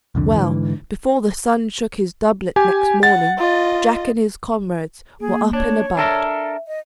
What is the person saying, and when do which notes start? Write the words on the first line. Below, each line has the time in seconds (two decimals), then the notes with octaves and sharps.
Well, before the sun shook his doublet next morning, Jack and his comrades were up and about.
0.15 C2 F2 D3
0.35 G#2 D3 E3
2.56 G4 G#5
3.03 F#5 A6
3.38 F4 D#5
5.20 A#3 G#4
5.53 D4 C#5
5.97 D4 A4 A#4 E5
6.68 D#5